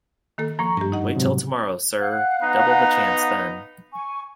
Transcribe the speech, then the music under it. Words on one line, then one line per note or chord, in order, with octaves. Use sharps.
Wait till tomorrow, sir; double the chance then.
D#3 A#3 A4
F3 A#3 A#5 C#6
G2 G4 A#5
D#4 D#5 F#5
G#2 C3 F#3
F5 F#5 F#6
B3 D#4 A#5
G#5 C#6